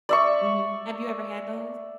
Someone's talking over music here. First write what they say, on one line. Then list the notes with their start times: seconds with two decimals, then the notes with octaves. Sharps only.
Mhm, have you ever had those?
0.09 D5 E5 C#6